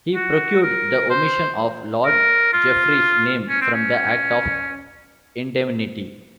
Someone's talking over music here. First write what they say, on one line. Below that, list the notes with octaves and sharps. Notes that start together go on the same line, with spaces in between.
He procured the omission of Lord Jeffreys's name from the Act of Indemnity.
F#4
A#4
C5
A#4
F4
C#4
C4
C#4